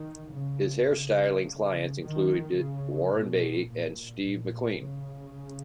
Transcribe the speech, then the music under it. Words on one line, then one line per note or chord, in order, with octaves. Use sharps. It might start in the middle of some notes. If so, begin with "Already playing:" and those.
His hair styling clients included Warren Beatty and Steve McQueen.
Already playing: D#3
C#3
C#3
D#3
C#3
B2
A#2
A#2
C#3